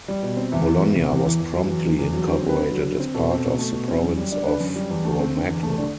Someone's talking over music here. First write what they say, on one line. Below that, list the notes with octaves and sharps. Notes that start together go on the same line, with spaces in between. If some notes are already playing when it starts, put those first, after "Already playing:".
Bologna was promptly incorporated as part of the province of Romagna.
G3
B2
C4
E2 E5
E3
B3
C3
E2
E3
E2
F#3
E2
D3
E2
F#3
D3 C5
C4
B4
D3
F#3
D3
C4
B2 A4
C4
B2
A3
B2
C4
F#2
G3
D4
D3 B4
F#2
G3
E2
A3
C4
D3
E2
A3
D3 D5